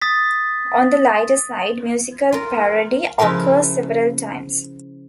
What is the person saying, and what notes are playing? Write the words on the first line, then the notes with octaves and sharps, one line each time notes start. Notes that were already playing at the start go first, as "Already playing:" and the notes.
On the lighter side, musical parody occurs several times.
D#6 A6 B6
F4 A#4
C#3 F3 E4 A#4 F5